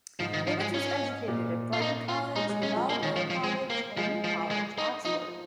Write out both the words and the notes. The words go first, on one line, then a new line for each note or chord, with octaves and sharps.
Image was educated at Brighton College, Marlborough College and New College, Oxford.
G#2 F3
D#3
F3
G#3
C#4
A#2
F4
D#4
F4
G#3 D#4
G#3
G#3 C#4
F3
G#3 A#3
D#3
F3
F3
G#3
A#3
F3 G#3
F3
G#3
D#4
F3 D#4